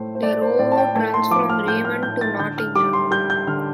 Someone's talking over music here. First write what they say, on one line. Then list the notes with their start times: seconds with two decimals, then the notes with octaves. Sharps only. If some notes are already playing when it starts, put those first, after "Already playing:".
The road runs from Raymond to Nottingham.
Already playing: A2 A3 C5
0.15 C5
0.23 A3 D5
0.42 C5
0.59 A2 D5
0.72 A5
0.77 G5
0.95 A3 A5
1.14 C6
1.31 F3 D6
1.49 F6
1.67 A2 G6
1.85 F6
2.03 A2 G6
2.21 A6
2.40 D3 G6
2.58 F6
2.75 G3 D6
2.93 C6
3.11 G3 G6
3.30 G6
3.47 D3 F6